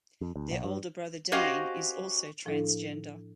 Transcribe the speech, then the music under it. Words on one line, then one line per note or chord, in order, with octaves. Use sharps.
Their older brother Dane is also transgender.
F2
D2
B1
G2
C#4 F#4 G4 C5 D#5 F5
A2 F3 D4 E4 A4